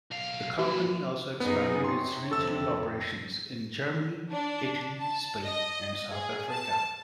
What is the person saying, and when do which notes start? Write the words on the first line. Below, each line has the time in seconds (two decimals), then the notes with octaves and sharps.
The company also expanded its regional operations in Germany, Italy, Spain and South Africa.
0.11 B1 F5
0.59 A#2 E4 F#4
1.40 F#2 B3 D#4 G#4
1.84 C3 C#5 C6
2.31 F2 C3 A4 E6
4.31 D4
4.99 A5
5.45 D#5
6.10 G#4
6.50 A5